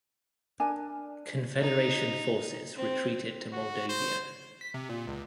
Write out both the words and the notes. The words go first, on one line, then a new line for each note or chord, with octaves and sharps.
Confederation forces retreated to Moldavia.
D4 A#4 G#5
D#4
C4
F#4
C5
B6
C3
A#2
C#2